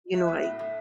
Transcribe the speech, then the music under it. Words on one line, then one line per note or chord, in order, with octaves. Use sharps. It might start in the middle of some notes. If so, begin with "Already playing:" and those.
You know, like,
F#3 E5
B3
A2
A2